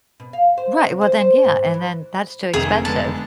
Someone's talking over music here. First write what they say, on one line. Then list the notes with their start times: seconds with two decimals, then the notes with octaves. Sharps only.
Right. Well, then yeah, and then that's too expensive.
0.20 B2
0.33 F5
0.58 C5
0.85 C3
1.01 C5
1.21 C5
1.44 G#2
1.74 E3
2.53 F1 C3 D#3 C4 G#4 G#5 F7
2.85 D3 G#3 B3 A5